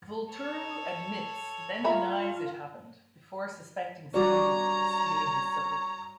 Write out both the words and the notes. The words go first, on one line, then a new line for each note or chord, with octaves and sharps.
Vulturo admits, then denies it happened, before suspecting Speedy of stealing his supper.
A4 C#5
F4 E5 A#5 B5
G3 F#4 C#5 D5 A#5